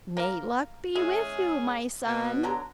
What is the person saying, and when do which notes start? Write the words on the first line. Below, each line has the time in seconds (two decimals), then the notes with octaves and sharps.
'May Luck be with you, my son.
0.17 A#3 A#4
0.95 G#3 C#4 E4 G#4
2.06 B2
2.43 D3 F#3 A#5